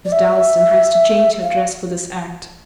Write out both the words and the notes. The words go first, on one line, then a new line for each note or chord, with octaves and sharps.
"Miss Dalstan has to change her dress for this act."
D5
E5
F5